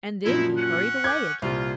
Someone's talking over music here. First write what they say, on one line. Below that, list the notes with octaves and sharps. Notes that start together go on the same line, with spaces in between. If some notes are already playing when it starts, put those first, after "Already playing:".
And then he hurried away again.
F#2 A#2 F3 D#4 E4
C#4 F#5
D6 G6 G#6
C2 A#2 F4